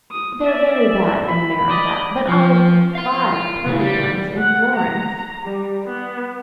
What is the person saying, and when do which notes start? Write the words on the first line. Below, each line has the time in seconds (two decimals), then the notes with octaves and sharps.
"They're very bad in America, but I've five perfect ones in Florence."
0.12 D#6
0.43 D5 E5
1.27 B5
1.69 D5 D#5
2.29 F3
2.95 F5 C6
3.66 A2 C#3
3.81 G3
4.38 F#5
4.76 A#5
5.45 G3
5.86 B3